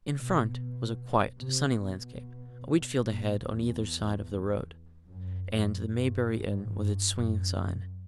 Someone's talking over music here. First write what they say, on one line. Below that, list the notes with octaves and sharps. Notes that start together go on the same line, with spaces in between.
In front was a quiet sunny landscape, a wheat field ahead on either side of the road, and the Maybury Inn with its swinging sign.
B2
C3
B2
A#2
E2
F#2
F#2
G2
G#2
G2
F#2